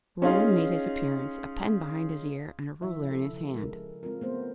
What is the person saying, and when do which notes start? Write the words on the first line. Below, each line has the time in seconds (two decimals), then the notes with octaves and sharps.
Roland made his appearance, a pen behind his ear, and a ruler in his hand.
0.22 C#4 D#4 F4 G#4 F5 C6
2.82 F3 E4 E5
3.07 A4 E5
3.33 C#3
3.54 G#3 A#4
4.03 G#3 C4 F4 A#4
4.22 A3 B3 C5